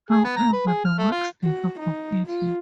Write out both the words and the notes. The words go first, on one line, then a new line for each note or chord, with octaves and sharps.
However, the works differ completely.
G#4
B3
A#5
B4
G#4
F6
A3
F4
F#4
D#4
F4